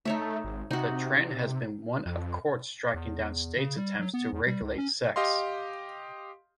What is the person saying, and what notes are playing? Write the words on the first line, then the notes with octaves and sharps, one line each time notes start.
The trend has been one of courts striking down states' attempts to regulate sex.
A3 D#4 C#5 E5
G#1
C3 D#4 F#4
F2
E2
C#3
G3
F#3
B3
E2
G3
C#2
C#4
G4 D#5 F5 C6